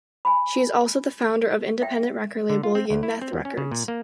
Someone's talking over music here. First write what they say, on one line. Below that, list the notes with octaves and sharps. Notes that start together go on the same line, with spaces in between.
She is also the founder of the independent record label Yidneth Records.
G#5 B5
E5 G5
D3
F4
C4
D2
E4
C4
E2
C#4
C#3
A#2
A#3